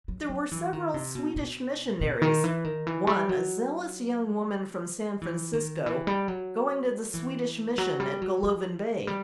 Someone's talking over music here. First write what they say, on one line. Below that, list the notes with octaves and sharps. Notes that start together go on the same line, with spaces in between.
There were several Swedish missionaries; one, a zealous young woman from San Francisco, going to the Swedish Mission at Golovin Bay.
F#3
F#3
E3
D#3
C3
B2
B2
B2
D#3
E3
D#3
E3
G3
F#3
E3
D#3
E3
G3
F#3
E3
F#3
G3
F#3
F#3
G3